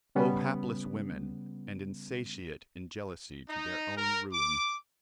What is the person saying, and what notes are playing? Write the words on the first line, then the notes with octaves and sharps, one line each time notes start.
O hapless women, and insatiate in jealousy to their own ruin!
C#3 G3 B3 C#4
D#4
A#4
D6